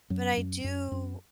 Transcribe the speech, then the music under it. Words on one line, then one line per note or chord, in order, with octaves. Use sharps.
but I do
F#2 F#3
F#2
F#2
F#2